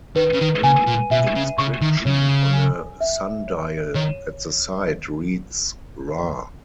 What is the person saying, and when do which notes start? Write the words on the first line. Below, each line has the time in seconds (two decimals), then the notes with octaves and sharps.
An inscription on a sundial at the site reads Ra.
0.16 D#3 B4
0.33 C#3
0.41 D#3
0.63 C#3 G#5
0.87 A#2
1.11 B2 E5
1.35 C#3
1.58 C#3 C#6
1.81 D#3
2.05 C#3 C#5
2.53 G#5
3.01 E5
3.48 C#5
3.95 D#3 C#5